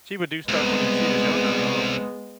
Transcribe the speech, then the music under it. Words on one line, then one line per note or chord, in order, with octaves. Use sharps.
she would do stuff when e she was younger um,
C2 G#3 B3